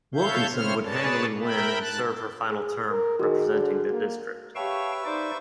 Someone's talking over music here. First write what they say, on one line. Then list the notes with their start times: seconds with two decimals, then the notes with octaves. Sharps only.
Wilkinson would handily win and serve her final term representing the district.
0.15 A4 C#5 E5 F5 G6
0.53 C#3 C4 E4 C5 C#5 F6
0.83 G#4 B4 C#5 D5 A5
1.42 A#4 E5 G5 B5
1.80 G#2 A5 F#6
2.48 G#4
2.90 A#4
3.19 D#3 F#4 G#4
3.51 D3
3.91 A#3
4.55 G4 B4 C#5 E5 F5 G5 A5 C#6
5.05 D#4 C5 D5 D6